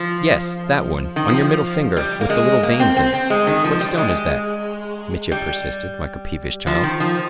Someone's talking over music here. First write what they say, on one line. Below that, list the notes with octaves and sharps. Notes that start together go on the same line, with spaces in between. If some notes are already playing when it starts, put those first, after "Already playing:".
"Yes, that one ... on your middle finger, with the little veins in it, what stone is that?" Mitya persisted, like a peevish child.
Already playing: F3
D#3
F3
G3
A#3
G#3
A#3
C4
C4
C4
G#3
D#3
F3
G3
G#3
G3
F3
D#3
F3